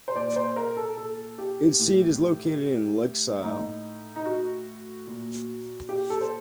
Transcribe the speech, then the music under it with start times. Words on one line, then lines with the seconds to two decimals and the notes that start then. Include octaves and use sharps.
Its seat is located in Lycksele.
0.08 C5
0.15 A#2 D5
0.36 C5
0.56 A#4
0.77 A4
0.98 A4
1.38 G4
1.79 A2
3.43 A2 D#4
4.16 D#4
4.25 F#4
5.07 A#2
5.89 G4
6.10 A4
6.21 C5